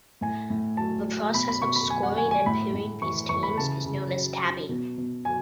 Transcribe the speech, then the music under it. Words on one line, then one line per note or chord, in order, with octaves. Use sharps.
The process of scoring and pairing these teams is known as "tabbing".
A2 G#5
A2
F#3 A5
F#3
B2 B5
B5
B2 C#6
B5
F#3 G#5
F#5
F#3 G#5
G#5
A2 B5
A2
E3 C#6
E3 C#6
B5
C#3 A5
C#3
F#3
F#3
B2
B2
F#3 G#5